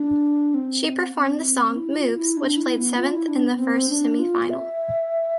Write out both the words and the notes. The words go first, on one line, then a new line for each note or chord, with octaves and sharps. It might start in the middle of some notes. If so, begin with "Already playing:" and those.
She performed the song "Moves" which placed seventh in the first semi final.
Already playing: D4
C4
C4
E4
F4
E4
D4
E4
B3
F4
E4
D4
B3
C4
D4
F4
E5